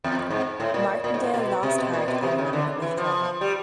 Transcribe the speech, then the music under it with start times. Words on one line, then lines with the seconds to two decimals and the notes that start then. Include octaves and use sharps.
Martindale lost heart and ordered a withdrawal.
0.04 E2
0.15 F2
0.30 G#2
0.60 A2
0.74 A#2
1.04 A#2
1.14 G#2
1.24 A2
1.34 B2
1.63 C3
1.78 B2
1.93 A#2
2.08 B2
2.23 C3
2.38 C#3
2.53 D3
2.82 E3
2.98 F3
3.41 G3